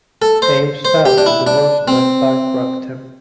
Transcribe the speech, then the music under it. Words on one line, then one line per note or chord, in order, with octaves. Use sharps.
Ames thought the divorce might bankrupt him.
A4
C5
C5
G4
D4
E4
D4
C4